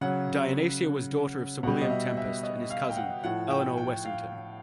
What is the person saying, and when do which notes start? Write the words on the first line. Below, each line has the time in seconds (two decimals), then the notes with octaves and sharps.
Dionysia was daughter of Sir William Tempest and his cousin, Eleanor Wessyngton.
0.01 C#3 F#3 F#5
1.63 B2 G3 F#5
1.81 D#5
1.90 E5
2.17 E5
2.43 D#5
2.70 F5
2.89 G5
2.97 F#5
3.24 A2 F3 F#5
3.51 G5
3.78 G5
4.05 F5